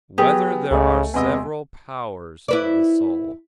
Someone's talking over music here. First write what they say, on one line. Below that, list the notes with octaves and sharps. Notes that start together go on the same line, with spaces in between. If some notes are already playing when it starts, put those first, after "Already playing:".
Whether There Are Several Powers of the Soul?
F#3 B3 G4 G#4
C#2 C#3 A3 D#5 G#5
E1 C3 B3 D#5 G#5 C6 E6
E4 B4 D5